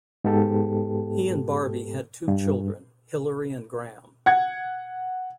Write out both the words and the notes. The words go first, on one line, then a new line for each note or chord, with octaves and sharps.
He and Barbie had two children; Hilary and Graham.
G#2 B3 G4 A4
G2
F#5 G#6